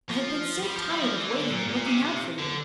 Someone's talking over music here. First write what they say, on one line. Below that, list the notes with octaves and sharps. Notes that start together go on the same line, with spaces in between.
I have been so tired of waiting and looking out for you.
F3
G3
F3
G3
F3
E3
D3
A#2
A#2
C3
C3
D3